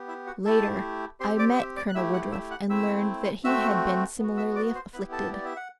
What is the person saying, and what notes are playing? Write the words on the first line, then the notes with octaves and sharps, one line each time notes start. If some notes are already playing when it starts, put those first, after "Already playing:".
Later, I met Colonel Woodruff, and learned that he had been similarly afflicted.
Already playing: B3 G4
E4 E5
F#4 F#5
A3 E4 G4 A4 A5
C4 G4 C5 C6
D5 D6
E5 E6
D5 D6
F#6
A3 E4 G4 E5 E6
F#5 F#6
E5 E6
F#5 F#6
A3 C4 E4 E5 E6
A3 C4 F#4 E5 E6
B3 F#4
E5 E6
D5 D6
C5 C6
B3 E4 G4 B4 B5
A4 A5
D5
E5
F#5